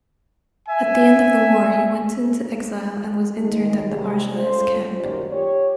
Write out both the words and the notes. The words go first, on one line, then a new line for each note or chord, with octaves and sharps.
At the end of the war he went into exile and was interned in the Argelès camp.
E5 G#5
D#3 G#3 G#4
C3 G3
C#3 A3 F4 C5
F#2 D#3 A#3 F4 G4 D5
G4 C#5